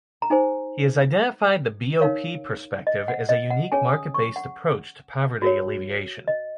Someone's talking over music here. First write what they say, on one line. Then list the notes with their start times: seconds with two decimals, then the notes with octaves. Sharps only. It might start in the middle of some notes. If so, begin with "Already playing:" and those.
He has identified the BoP Perspective as a unique market-based approach to poverty alleviation.
0.22 A#5
0.30 D#4 G#4 C5 G#5
2.01 D#4 A#4 C#5 F5
2.87 D#5
3.08 F#5
3.29 D#5
3.50 F#5
3.72 C#4 G#4 C#5 G#5
3.93 D#6
4.14 C#6
4.36 F#5
5.42 F#4 A#4 C#5
6.28 D#5